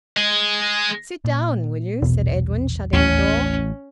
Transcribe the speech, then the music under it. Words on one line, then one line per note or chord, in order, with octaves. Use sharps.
"Sit down, will you?" said Edwin, shutting the door.
G#3 G#4
A#2
A#1 E2 B2
A1 D#2 C#4